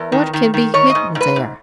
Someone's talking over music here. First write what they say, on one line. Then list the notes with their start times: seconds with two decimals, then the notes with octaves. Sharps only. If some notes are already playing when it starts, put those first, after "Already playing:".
What can be hidden there?
Already playing: E2 A#4
0.12 D#3
0.33 D#3
0.54 D#3
0.74 D#3 C#5
0.90 D#5
0.95 G#2
1.15 G#2
1.21 B4
1.36 G#2